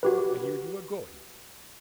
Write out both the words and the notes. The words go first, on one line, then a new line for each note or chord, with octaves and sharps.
I hear you are going.
F#4 G4 B4